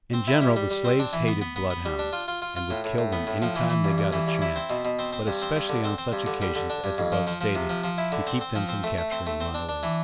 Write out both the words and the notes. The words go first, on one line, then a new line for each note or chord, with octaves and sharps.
In general the slaves hated bloodhounds, and would kill them any time they got a chance, but especially on such occasions as above stated, to keep them from capturing runaways.
C4
E4
G3
G3
G3
C4
D4
E3
B3
B3
B3
B3
G3
D4
F4
F4
F4
F4
A2
A2
A2
B3
A2
F3
E3
E3
G2
G2
E3
G2
E4
C4
B2
B2
C4
C4
G2
C4
G2
D3
C4
C4
G2
D3
G3
D3
D4
G2
F2
F3
F3
F3
C3
F3
F3
E4
D3
C4
C4
F3
C4
A3
A3
C4
A3
C4
D4
D4
E3